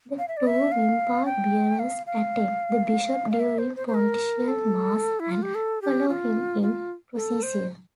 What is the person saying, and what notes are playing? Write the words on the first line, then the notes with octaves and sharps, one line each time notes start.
The two vimpa-bearers attend the bishop during Pontifical Mass, and follow him in procession.
F5
E5
D5
E5
F5
G5
F5
F5
F5
E5
C5
C5
C5
A#4
A4
E4
F4
G4
A4
G4
F4
F4
A4
C5